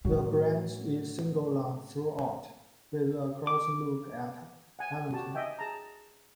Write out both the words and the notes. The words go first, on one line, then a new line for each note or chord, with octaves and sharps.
The branch is single line throughout, with a crossing loop at Allanton.
A2 F#3
D6
F#5 G#5
F#4 G4 A5
D#4 D#5 E5 G5 G#5
G#4 A5 A#5